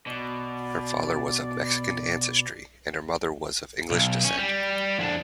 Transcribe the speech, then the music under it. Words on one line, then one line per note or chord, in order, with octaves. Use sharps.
Her father was of Mexican ancestry, and her mother was of English descent.
B2 D5
B1
C#4
G3
F2 D4